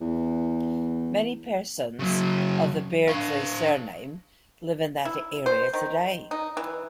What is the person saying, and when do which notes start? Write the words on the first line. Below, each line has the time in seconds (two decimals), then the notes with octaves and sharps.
Many persons of the Beardsley surname live in that area today.
0.01 E2
2.00 C#3 F#3
3.08 D4 F5
5.05 E4
5.46 C5
5.73 D#3
6.31 D#4
6.57 E3